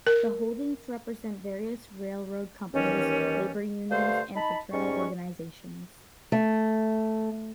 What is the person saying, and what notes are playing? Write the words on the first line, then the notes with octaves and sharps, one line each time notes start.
The holdings represent various railroad companies, labor unions, and fraternal organizations.
A#4
D#2 D#3 E3 G3 C#4
G2 D3 A3 C5 F5
D#4 A5 B5
G#2 G3 C#4 C#6
A3